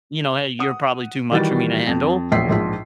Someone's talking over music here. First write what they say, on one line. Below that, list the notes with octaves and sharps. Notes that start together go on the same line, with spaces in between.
you know, "Hey, you're probably too much for me to handle,"
F#5 D#6
D#3 E3 G3 F#4 A6
F2
E1 A#1 B6 C7
A#1 G#2 F3 B6